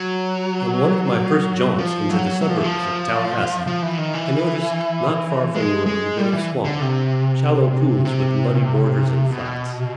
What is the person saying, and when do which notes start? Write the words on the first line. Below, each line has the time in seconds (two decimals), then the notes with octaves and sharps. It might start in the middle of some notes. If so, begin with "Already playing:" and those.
On one of my first jaunts into the suburbs of Tallahassee I noticed not far from the road a bit of swamp,--shallow pools with muddy borders and flats.
Already playing: F#3
1.79 F3
2.10 F#3
2.41 F#3
2.49 F3
2.57 E3
2.64 F3
3.67 F3
3.82 E3
3.98 D#3
4.14 E3
5.55 G#3
5.86 G#3
6.17 G3
6.33 E3
6.64 D3
6.80 C3
8.05 C3
9.30 B2